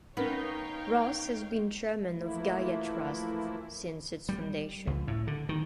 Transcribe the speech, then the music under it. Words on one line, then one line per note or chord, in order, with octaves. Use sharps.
Ross has been Chairman of Gaia Trust since its foundation.
B3 C#4 D#4 A#4 B4 C#5 F5 G5
E3 F3 A3 A#3 E4
G3
C#2
A2
D3
D#3